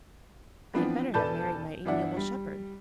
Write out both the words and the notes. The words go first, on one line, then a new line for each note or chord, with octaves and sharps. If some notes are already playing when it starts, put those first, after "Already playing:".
I had better have married my amiable shepherd.
E3 F3 B3 C4 D4 B4
E1 A4 B4 D5 A5 G6
G1 E3 D4 D5 E5 F#5
G3